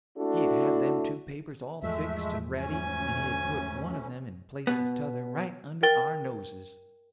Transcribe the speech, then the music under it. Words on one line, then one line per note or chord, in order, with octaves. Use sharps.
He had had them two papers all fixed and ready, and he had put one of them in place of t'other right under our noses.
A3 D4 E4 F#4 A4
E2 G#2 F3 G#3 A3 E5
D2 C#4 G#5
B2 B3
A#4 G5 A6 G7